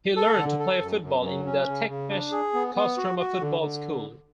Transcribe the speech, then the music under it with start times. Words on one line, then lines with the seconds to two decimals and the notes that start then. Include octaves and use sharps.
He learned to play football in the Tekmash Kostroma football school.
0.16 A4
0.37 D3
0.59 A4
0.81 F#2
1.02 F#2
1.24 F#3
1.46 C#4
1.68 C#3
1.88 C#3
2.10 D4
2.32 G#4
2.54 B3
2.75 B3
2.97 F#4
3.19 F#4
3.40 D3
3.61 D3